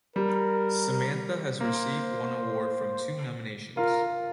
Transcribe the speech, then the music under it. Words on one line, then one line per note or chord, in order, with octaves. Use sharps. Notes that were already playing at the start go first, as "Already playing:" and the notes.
Samantha has received one award from two nominations.
G3 A#4
A#3 C5
F4 A#4